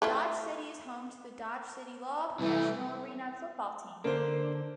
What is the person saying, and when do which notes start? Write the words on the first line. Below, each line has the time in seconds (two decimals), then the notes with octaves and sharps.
Dodge City is home to the Dodge City Law professional arena football team.
0.02 A3 E4 F4
2.39 C2 E3 A3 E4
4.04 D3 A#3 D4 C5